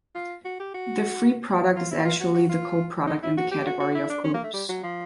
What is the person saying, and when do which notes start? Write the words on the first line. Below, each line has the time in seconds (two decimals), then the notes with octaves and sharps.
The free product is actually the coproduct in the category of groups.
0.15 F4
0.45 F#4
0.60 G4
0.74 F#4
1.76 F4
1.91 E4
2.05 F4
2.20 F#4
2.34 F#4
2.49 F4
3.07 D#4
3.22 E4
3.37 F#4
3.51 G4
3.66 F#4
3.80 F#4
3.95 E4
4.10 D4
4.24 C#4
4.34 A#3
4.44 A3
4.53 G3
4.69 F#3
4.83 F3